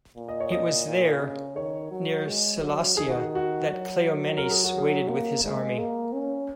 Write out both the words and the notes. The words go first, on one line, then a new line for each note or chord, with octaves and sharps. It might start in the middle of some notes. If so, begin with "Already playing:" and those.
It was there, near Sellasia, that Cleomenes waited with his army.
A#2
D#5
C#5
D#5
A#2
C#3
D#3 C#5
F#3
G#3
F#3
D#3 G#4
F#4
F#4
F#3
A#4
G#4
F#4
G#4
A#3
G#3
A#3
C#4